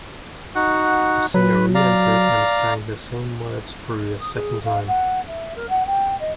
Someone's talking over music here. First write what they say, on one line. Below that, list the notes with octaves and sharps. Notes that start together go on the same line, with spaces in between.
The singer re-entered and sang the same words through a second time.
D#4 F#4 F#5
F#3 B4
D5 F5 A#5
D#6
G#4
F5
F#5
E5
A#4
F#5
G5
D#5